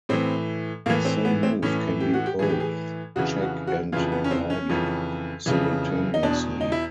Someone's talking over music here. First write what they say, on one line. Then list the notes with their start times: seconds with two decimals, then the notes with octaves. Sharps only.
The same move can be both "check" and "garde" simultaneously.
0.09 A2 E3 C4
0.86 A2 E3 A#3
1.05 C4
1.25 B3
1.43 C4
1.62 A2 E3 C#4
2.00 G4
2.14 F#4
2.26 G4
2.39 A2 E3 G#4
2.49 G4
2.60 G#4
3.16 F2 C#3 E3 F#4
3.41 F#4
3.67 F#4
3.92 F2 C#3 E3 F4
4.12 B3
4.24 C#4
4.31 C4
4.50 C#4
4.69 F2 C#3 E3
5.46 F2 C#3 E3
6.14 D#4
6.23 E2 B2 D4
6.61 D#4
6.72 E4